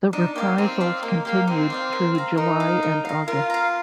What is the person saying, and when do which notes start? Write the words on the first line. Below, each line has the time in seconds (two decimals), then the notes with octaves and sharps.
The reprisals continued through July and August.
0.13 D4 D#4
0.35 A#3 G4 D5 F5
0.58 C4 D#4
0.80 G4 D5 F5
1.03 A#3 D#4
1.25 A#3 G4 D5 F5
1.47 C4 D#4
1.70 G4 D5 F5
1.93 A#4
2.15 F5 A#5
2.37 D#4 A#4
2.60 F5 A#5
2.83 A#4
3.05 F5 A#5
3.27 F4 A#4
3.50 F5 A#5